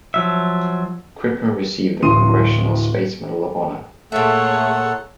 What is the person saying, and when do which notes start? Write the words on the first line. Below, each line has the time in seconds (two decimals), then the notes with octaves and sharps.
Crippen received the Congressional Space Medal of Honor.
0.14 F3 F#3 E5
2.02 D1 E3 C6 D#6 D#7
4.12 A#2 A3 G#4 A4 C#5 E5 F#5